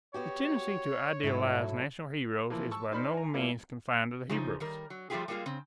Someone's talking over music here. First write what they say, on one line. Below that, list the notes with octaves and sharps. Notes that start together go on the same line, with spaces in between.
The tendency to idealize national heroes is by no means confined to the Hebrews.
B3 F#4 G4 C#5
G#2 F#3 A3 E4
E3 F3 A#3
A5 C#6 E6
D#4 C5 D5 B5 F6
G#5 A#5
G3 A#3 E4 F4
C#3 F3 D#4
D#3 G3 A#4
F#3
F3 G3 A3 F4 G4 G#4
G3 G#3 A#3 F4 G#4
C#3 C4